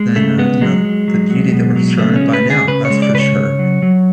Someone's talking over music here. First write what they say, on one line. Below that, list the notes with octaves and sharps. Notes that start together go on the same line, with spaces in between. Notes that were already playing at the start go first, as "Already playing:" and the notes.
than, uh, you know, the beauty that we're surrounded by now. That's for sure,
Already playing: G#3
C#3 A3
G#3 B3
F#3 G#3
F#3
F#3
F#3
B2
F#3
C#3 A3
C#4
G#3
B4
C#3
G#4
C#3 B4
C#5
G#3
D5
C#3 B4
C#5
C#3
F#3
F#3